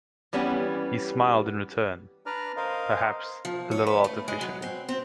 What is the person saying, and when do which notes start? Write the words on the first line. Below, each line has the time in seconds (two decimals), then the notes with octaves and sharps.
He smiled in return — perhaps a little artificially.
0.33 E3 G3 B3 C#4 G4
2.26 D4 B4 D5 A#5 F6
2.57 A#4 C5 D#5 F5
3.45 F3
3.71 C#5
3.87 B4
4.04 A3
4.28 G#3
4.41 F#3
4.62 C4
4.89 C4